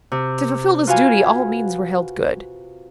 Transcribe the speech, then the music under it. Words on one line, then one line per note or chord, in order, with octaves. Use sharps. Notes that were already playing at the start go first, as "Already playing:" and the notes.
To fulfil this duty all means were held good.
C3
F4 F#4 B4 F5 G#5